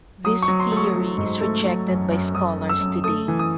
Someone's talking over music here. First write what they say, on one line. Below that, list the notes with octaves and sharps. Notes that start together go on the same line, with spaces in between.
This theory is rejected by scholars today.
F#3 D#6
C#6
F#3
C6
A3
C#6
F#3
G#2
A3
F#3
F#2
F#2
F#2 D#6
F#2
E6
F#2
A3 D#6
E3
D#6